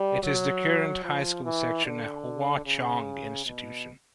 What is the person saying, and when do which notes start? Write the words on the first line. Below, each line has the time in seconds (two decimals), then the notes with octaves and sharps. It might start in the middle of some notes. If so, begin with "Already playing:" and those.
It is the current high school section in Hwa Chong Institution.
Already playing: G3
0.23 F#3
1.04 F3
1.44 E3
1.85 D3
2.65 C#3
3.46 B2